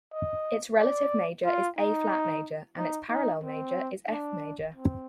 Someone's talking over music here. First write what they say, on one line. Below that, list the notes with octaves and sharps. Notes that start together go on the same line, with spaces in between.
Its relative major is A-flat major, and its parallel major is F major.
D#5
D5
F4
D#4
D#4
D#4
C4
D4
C4